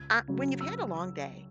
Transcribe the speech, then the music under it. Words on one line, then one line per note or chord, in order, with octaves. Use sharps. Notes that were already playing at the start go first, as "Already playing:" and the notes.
Ah, when you've had a long day
Already playing: C#2 G#6
C#3 F#3
E6